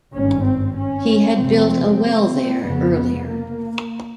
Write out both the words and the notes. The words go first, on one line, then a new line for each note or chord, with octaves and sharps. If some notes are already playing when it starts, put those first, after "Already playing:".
He had built a well there, earlier.
G#1 G2 C#4
C4
C#4
F1 F2 C3 C4
C4
F1 F2 C#3 B3
A#3